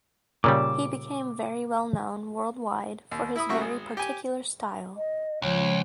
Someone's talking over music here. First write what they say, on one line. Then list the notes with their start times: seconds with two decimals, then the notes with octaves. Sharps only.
He became very well known worldwide for his very particular style.
0.44 A#2 C#3 G3 D6 E6
3.11 D#2
3.36 E4 E5 B5 D#6
3.49 C#3 G3 A#3 F#4 E5 C#6
3.61 G#1 G#3
3.97 G4 G#5
4.96 D#5
5.42 C#2 F3 C#5